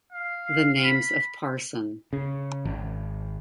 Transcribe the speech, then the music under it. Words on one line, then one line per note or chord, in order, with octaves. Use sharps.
The names of Parson.
F5
B5
C#3
G#1